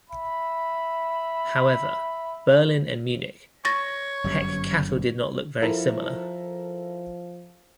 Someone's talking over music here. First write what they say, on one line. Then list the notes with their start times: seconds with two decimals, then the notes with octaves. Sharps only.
However, Berlin and Munich Heck cattle did not look very similar.
0.10 E5 B5
3.65 C#5 C#6 A6 A#6
4.24 G1 F#2 G3
5.62 F3 E4 A4 A#4